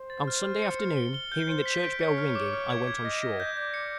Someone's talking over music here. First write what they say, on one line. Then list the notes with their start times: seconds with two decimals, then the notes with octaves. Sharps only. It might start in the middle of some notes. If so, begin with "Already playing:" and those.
On Sunday afternoon, hearing the church bell ringing I went on shore.
Already playing: C5
0.10 A6
0.28 F6
0.45 F6
0.62 C#7
0.79 F6
0.97 G7
1.14 G7
1.32 G6
1.48 C5 G7
1.66 B6
1.83 D7
2.01 C#5 C#7
2.18 F6
2.35 D6
2.53 F6
2.70 G#6
2.87 G#6
3.04 D#5 A#6
3.22 A#6
3.40 G6
3.57 D5 G6
3.74 C#7